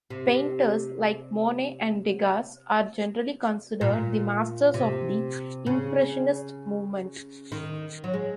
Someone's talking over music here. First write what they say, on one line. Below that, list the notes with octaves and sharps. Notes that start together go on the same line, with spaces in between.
Painters like Monet and Degas are generally considered the masters of the impressionist movement.
C3
A#2
C3
C#3
D#3
F#3
G#3